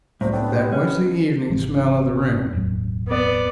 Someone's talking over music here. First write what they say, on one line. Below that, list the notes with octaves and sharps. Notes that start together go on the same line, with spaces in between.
That was the evening smell of the room.
C2 A2 F#3 C5
B3 D4 A4 G5
G4 C5 D#5
C#4
G#1 E3 G#3
E1 A1 F#2
B3 D5